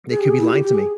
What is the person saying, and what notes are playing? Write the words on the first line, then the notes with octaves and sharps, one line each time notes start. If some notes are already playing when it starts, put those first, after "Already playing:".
They could be lying to me.
G#4
G4
G#4
E4
G4
G4
G#4